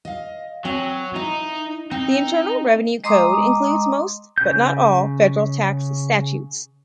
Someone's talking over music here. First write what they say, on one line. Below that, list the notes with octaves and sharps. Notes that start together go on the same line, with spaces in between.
The Internal Revenue Code includes most but not all federal tax statutes.
D#5 F5
F#3 C4 G#5
D#4 E4
C4 D#4
G#3 D#5 A#5 C6 D6 D#6
C#3 G6